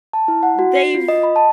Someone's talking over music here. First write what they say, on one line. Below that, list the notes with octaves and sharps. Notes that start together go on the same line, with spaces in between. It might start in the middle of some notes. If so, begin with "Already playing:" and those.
mm, they've
A5
E4
F#5
F#4
C7
F4
D#5
B5
A5